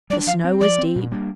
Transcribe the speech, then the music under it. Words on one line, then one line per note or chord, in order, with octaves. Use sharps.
The snow was deep.
G3 D4 D5
F3 F5
C4
F3 D5
C4
A#2
G3 A#3 D4